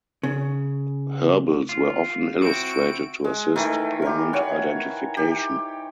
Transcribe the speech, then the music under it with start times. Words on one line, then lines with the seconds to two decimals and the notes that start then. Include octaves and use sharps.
Herbals were often illustrated to assist plant identification.
0.23 C#3
1.69 F4
2.42 C4 E4 F#4 D7
3.24 G#3
3.56 D#3 E3 A3
4.02 G4 A#4
4.33 C#5 F#5
5.17 G4